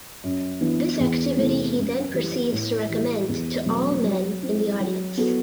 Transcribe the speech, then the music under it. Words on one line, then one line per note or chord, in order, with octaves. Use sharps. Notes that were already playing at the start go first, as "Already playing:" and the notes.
This activity he then proceeds to recommend to all men in the audience.
F#2
E3 B3 D4
E2
C3 E3 A3 C4
F#2
E3 G3
A2
E3 G3
E2
B2 F#3 A3 C4
F#3
C4 E4
F#3
B3 F#4 A4